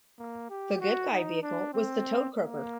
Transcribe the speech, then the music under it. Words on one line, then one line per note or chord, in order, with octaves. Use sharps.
The good guy vehicle was the Toad Croaker.
A#3
G4
F#4
D#4
D4
C4
A#3